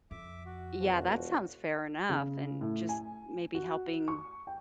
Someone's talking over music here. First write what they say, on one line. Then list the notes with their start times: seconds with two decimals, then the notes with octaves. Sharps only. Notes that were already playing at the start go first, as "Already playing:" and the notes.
Yeah, that sounds fair enough and just maybe helping
0.11 F2 E5 D6
0.45 F#4
0.80 E1 F3
2.09 C#3
2.61 A2
2.89 G#5
3.55 F#4
4.08 C#6
4.47 G5